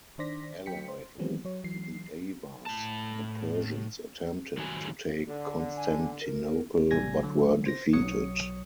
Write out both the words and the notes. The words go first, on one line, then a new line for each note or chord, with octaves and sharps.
Allied with the Avars, the Persians attempted to take Constantinople, but were defeated.
D#3 D4 C5 D5 A#6 B6
F#3 G5 B6 C#7
C5
D#3 E3 F#3 G#3 B3 C4
F#3 C#5
E3 F#3 C7
A2 A5
A2 D#3 F#3 G3 F#4 G#5
D3
G#5
A#4
A1 C3 G3 G#5 G#6 A#6
D3 F#3
C5 A#6
B1 F#3 C#5 D#6 C#7